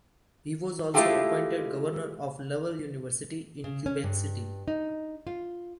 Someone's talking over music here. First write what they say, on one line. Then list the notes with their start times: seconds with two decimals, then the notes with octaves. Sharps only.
He was also appointed Governor of Laval University in Quebec City.
0.94 G#3 A3 E4 F4 G4 A4
3.64 C#3
3.86 C#4
4.04 G2
4.68 D#4
5.27 F4